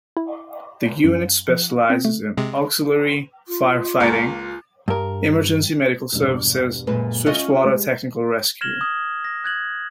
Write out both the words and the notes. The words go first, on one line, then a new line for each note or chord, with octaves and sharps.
The unit specialises in auxiliary fire fighting, emergency medical services, swiftwater technical rescue.
E4
F#2
F3
C4
A3
C3 G#3
F4
C#2 A#3
G2 A#4
E1 G2
F#2 A#2 G#3 B4
C#4 F4 D#5
G#3 G4
F6 G#6 A#6 E7 F#7 G7
D#6
A#6
F#6 G#6 F#7